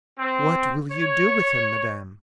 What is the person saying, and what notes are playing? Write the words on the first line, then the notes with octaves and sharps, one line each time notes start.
"What will you do with him, madame?"
C4
C#5